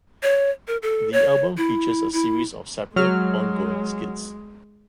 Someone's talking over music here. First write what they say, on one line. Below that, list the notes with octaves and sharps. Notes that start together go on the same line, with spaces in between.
The album features a series of separate, ongoing skits.
C#5
A#4
A4
C#5
E4
E4
F#3 G#3 F6